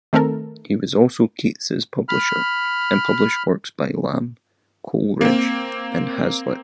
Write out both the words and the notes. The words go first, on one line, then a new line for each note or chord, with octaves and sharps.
He was also Keats's publisher, and published works by Lamb, Coleridge and Hazlitt.
D#3 A3 C4 A4 A#4
B5 F6
A#3 C4